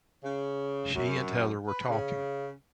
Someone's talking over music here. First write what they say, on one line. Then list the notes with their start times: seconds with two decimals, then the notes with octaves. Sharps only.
She and Heather were talking.
0.24 C#3
0.95 F#2
1.68 B4
1.89 C#3